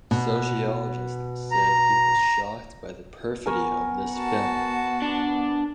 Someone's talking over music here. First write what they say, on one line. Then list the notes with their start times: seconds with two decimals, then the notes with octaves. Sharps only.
Sociologist said he was "shocked by the perfidy of this film".
0.11 B2
1.51 A#5
3.46 B3 A#4 G#5 C#6
4.13 F#4 A5
5.02 D4